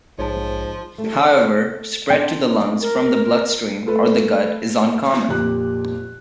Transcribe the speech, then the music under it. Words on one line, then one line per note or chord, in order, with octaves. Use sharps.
However, spread to the lungs from the blood stream or the gut is uncommon.
A#1 G#2 F3 C#5 A5
A3
C4 D4 C5 G5
A#4
A3 F4 A4 B4
F2 A#2 G4 F#6